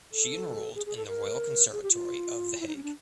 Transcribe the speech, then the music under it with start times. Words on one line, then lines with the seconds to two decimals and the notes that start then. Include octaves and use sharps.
She enrolled in the Royal Conservatory of The Hague.
0.12 A4
0.75 G#4
0.86 G#4
0.97 A4
1.07 A#4
1.72 G#4
1.83 G4
1.93 F4
2.60 E4
2.67 D#4
2.76 C#4
2.83 D4